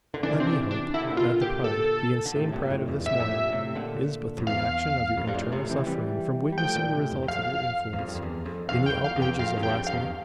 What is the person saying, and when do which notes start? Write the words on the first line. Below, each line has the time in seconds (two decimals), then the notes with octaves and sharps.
Let me hope, that the pride, the insane pride of this morning, is but the reaction of your internal suffering from witnessing the results of your influence in the outrages of last night.
0.14 D3
0.23 C3 E3 D4
0.40 C4
0.47 D4
0.71 D4
0.94 D3 E4
1.02 C3
1.11 A#2 D3
1.17 F4
1.41 G4
1.64 A4
2.26 D3
2.35 A2 C3
2.52 G2 A#2
2.65 A#2
2.70 F2 A2
2.88 E2 G2
3.06 A2 E5
3.13 A#2
3.19 F2 A2
3.29 G2 A#2
3.52 A2 C3
3.75 A#2 D3
4.38 F2
4.47 E2 F5
5.17 F2
5.27 G2
5.34 F2 A2
5.52 A2 C3
5.70 C3 E3
5.87 E3 G3
6.52 G3
6.58 F3 A3 G5
6.75 A#2 D3
6.93 A2 C3
7.11 E2 G2
7.23 E2
7.28 F2 F5
7.93 E2
7.99 F2
8.08 G2
8.15 F2
8.22 E2
8.46 F2
8.69 E2 F5
8.86 G5
8.92 F2
9.04 F5
9.16 E2
9.22 G5
9.39 F2 F5
9.57 E2 G2
9.63 G5
9.69 G2
9.75 F2
9.87 F5
9.93 E2 G2